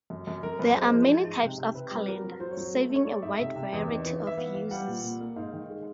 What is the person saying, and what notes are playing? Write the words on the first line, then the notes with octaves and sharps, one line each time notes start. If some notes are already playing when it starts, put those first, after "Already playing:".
There are many types of calendar, serving a wide variety of uses.
F#2
F#2
F#2 A#4
F#2 B4
G#3 C5
F3
G#3
G#2
C3
C3
C3 B4
G3
B4
F#3 A#4
F#3
F#3 C5
C#5
F#3 C5
A3
A3 C#5
A3 D5
G#2 E5
C3 E5
C3
E2
D#3
E3
E3
E5
B3 F5
E3 F5
G3 F#5
A#2
A#2
A#3
G#2 F5
D#3
G#3